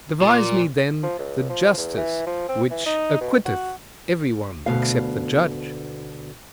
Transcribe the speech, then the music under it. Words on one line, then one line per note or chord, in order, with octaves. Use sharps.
Devise me, then, the justice which acquitteth every one except the judge!
A#2
F3
C#2
F3
E2
E3
F3
C4
E3
D#4
B2
F#4
D2 B2 F5